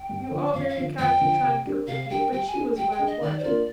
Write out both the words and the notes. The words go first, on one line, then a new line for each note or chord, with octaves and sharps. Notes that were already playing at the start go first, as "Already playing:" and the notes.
You are very kind to try and comfort me, but she was my wife.
Already playing: G5
G2
D3 F3
F2 F5
F5
D3 F3
F2 G5
D3 F3
C3
G3 D4 G4 A#4
C3 F5
G3 D4 G4 A#4 G5
G3 G5
G#5
D4 G#4
G3 G5
G5
D4 G#4
D#5
D#3 D5
C5
A#3 D4 F4 A#4 D5